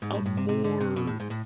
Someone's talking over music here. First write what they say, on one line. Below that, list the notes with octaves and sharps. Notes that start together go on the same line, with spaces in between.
a more
G#2
A2
A2
C3
C3
D3
C3
B2
A2
G#2
A2